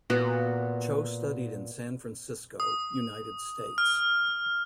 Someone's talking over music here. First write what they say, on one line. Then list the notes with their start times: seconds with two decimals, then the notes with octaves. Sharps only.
Cho studied in San Francisco, United States.
0.10 A#2 B3 F#4
2.60 D#6
3.78 F6